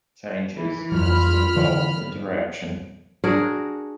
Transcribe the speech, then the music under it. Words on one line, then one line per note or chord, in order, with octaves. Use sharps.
Changes can also involve interaction.
E3
F2 F#3 F4 B5 F6
D3 E3 F3
D4 F#4 G#4 A#4